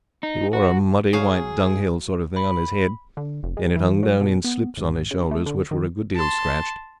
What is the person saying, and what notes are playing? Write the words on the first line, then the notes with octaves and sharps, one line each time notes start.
He wore a muddy-white dunghill sort of thing on his head, and it hung down in slips on his shoulders, which were a good deal scratched.
D#4
F#4
F#3 G#4 F5 G#5
B5
D3
F1
G#3
E3
F#3
B2
B3
G#1
C#3
A3
D3
D#3
A5 C6